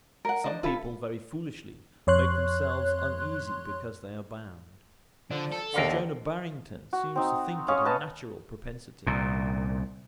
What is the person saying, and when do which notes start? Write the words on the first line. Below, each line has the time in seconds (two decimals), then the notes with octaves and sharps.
Some people, very foolishly, make themselves uneasy because they are bound. Sir Jonah Barrington seems to think it a natural propensity.
0.25 A#4 F#5
0.44 D4 C5 D#5
0.63 E4 F4 A4 B4
2.07 F2 C#5 C6 F#6
5.31 D3 F3 D5
5.52 A4
5.74 D#2 D3 A#4 F5
6.93 F#4
7.16 C4 D#4
7.68 C#4 D#5 F5 C#6
7.85 B4 D#5 A5
9.07 C2 A#2